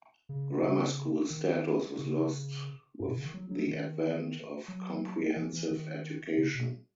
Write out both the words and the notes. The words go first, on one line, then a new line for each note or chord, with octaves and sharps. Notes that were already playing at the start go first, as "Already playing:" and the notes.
Grammar school status was lost with the advent of comprehensive education.
C#3
C#3
D#3
C#3
G#2
B2
C#3
D#3
F#3
F#3
D#3
F#3
E3
E3
D#3
C#3
B2